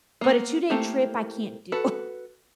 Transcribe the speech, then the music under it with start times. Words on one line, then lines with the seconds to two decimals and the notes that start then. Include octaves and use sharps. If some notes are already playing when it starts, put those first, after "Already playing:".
but a two-day trip, I can't do.
0.21 A#3 B3
0.70 A3 A#3 C4 E4 G4
1.72 F#4 A4 B4